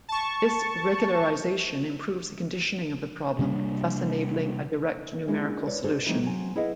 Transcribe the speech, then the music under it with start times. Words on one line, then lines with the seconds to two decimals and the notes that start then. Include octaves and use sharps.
This regularization improves the conditioning of the problem, thus enabling a direct numerical solution.
0.09 A5 C#6
3.39 C3 G3 A#3 D4
5.28 G#3 A#3 C#4 D4 E4 F4
5.66 E4 B4 C#5 D5
5.84 D4 D#4 F#4 G#4 A4 C5
6.06 E3 F3 G3 A3 C4 D#4
6.22 F#3 C4 G#5
6.56 E4 G#4 B4 D#5 F5 F#5